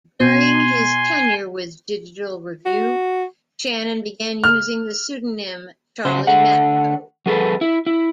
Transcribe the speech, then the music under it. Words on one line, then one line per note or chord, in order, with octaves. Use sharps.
During his tenure with "Digital Review", Shannon began using the pseudonym "Charlie Matco".
B2 G#5 C6
F#4
F6
C#3 F#3 C5
D3 A3 F#5
F#3 G#4 A4 B4
E4
E4